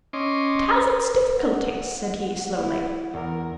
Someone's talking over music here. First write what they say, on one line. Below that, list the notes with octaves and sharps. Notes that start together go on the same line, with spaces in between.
"It has its difficulties," said he slowly.
C#4 D#5 C6 D6
F#5
E4
E2 A#4